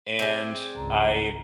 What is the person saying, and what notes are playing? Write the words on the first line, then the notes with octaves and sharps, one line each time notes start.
and I
C4 D4 G#4 E5
G#1 C#2 A#5